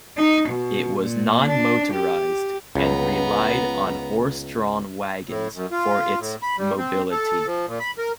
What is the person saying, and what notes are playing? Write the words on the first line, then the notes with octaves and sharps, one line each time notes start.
It was non-motorised and relied on horse-drawn wagons for its mobility.
D#4
B2
A#2
D4
G4
C#2 B3 A#5
A2
F#2
F4
A2
B5
G3
C4
A4
F3
A#2
B5
A#4